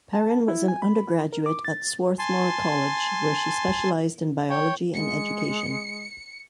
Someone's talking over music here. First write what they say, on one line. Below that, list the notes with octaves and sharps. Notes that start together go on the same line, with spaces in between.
Perrin was an undergraduate at Swarthmore College where she specialized in biology and education.
A5
E4
G#5
B5
A#4
D6
A6
G#5 A5 C6
C#5 G5
G#3 C#7